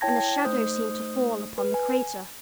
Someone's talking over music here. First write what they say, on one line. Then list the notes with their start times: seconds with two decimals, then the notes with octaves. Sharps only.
And a shadow seemed to fall upon the crater.
0.01 E4 C#5 G5 A5 G#6 A#6
0.44 A3 D#4 C5 D#6 G6
1.58 B4
1.74 G#5